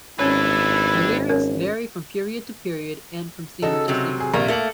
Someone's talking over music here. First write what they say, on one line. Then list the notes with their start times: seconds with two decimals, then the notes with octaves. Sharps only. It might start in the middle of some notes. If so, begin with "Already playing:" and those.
The lyrics vary from period to period and from singer to singer.
0.19 G#1 C#4 D4 E4 B4 C#5
1.29 C#4 A#4 C#5
3.62 C#3 D#4 F#4 A4
3.88 C3 F#3
4.20 G#4
4.34 A#1 C3 A#3
4.48 A3 A#3 A4 F#7